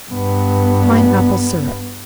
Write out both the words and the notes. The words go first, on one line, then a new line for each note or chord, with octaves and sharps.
Pine Apple Syrup.
G2 B3